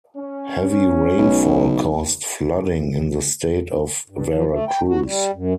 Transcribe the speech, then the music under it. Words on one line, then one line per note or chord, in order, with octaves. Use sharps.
Heavy rainfall caused flooding in the state of Veracruz.
C#4
B1
G2
F3
A3
G5
F#4
G3
F#2